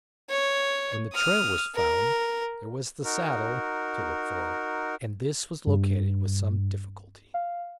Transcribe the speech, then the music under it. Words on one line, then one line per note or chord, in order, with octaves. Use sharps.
When the trail was found, there was the saddle to look for, and this was located with some difficulty.
C#5
D#6 F6
A#4
D#4 F#4 A#4
G2
F5